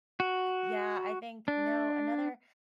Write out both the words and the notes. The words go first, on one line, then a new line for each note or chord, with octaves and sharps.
Yeah, I think no, another
F#4
D4